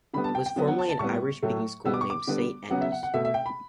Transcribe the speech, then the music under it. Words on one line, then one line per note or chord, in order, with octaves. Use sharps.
It was formerly an Irish speaking school named Saint Enda's.
D3 G3 B3 B5
A5
G5
G5
D3 F#3 B3
F#5
A5
A5
A2 G3 B3 C#6
A2 F#3 A3
B2 G3 B3 E6
D6
C#6
D6
D3 G3 B3
C#3 F#3 B3 F#5
E5
F#5
F#5
B2 A3 E5
E5
G5
B5